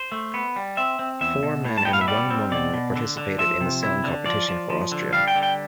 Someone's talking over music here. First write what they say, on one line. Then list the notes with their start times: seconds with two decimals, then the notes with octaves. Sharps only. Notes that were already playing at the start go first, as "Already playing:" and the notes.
Four men and one woman participated in the sailing competition for Austria.
Already playing: C5
0.12 A3
0.34 B3
0.56 G3
0.77 C4 E5
0.99 C4
1.21 E2 E5
1.43 B2
1.65 A2
1.78 A5
1.85 B3 G5
1.93 F5
2.01 E5
2.08 G3 D5
2.30 C4
2.51 B2 D5
2.74 B2
2.96 D3
3.17 D3
3.38 F3 E5
3.61 C3
3.83 E4
4.04 D3
4.26 F3 D5
4.48 F3
4.70 F3
4.92 D3
5.13 G3 F5
5.28 G5
5.35 D3
5.43 G5